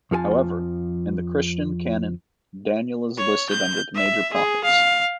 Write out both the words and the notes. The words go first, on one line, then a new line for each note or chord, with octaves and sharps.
However, in the Christian canon Daniel is listed under the Major Prophets.
F2 F3 A4 G#5 A5
C#5
G6
E5
G#4
F5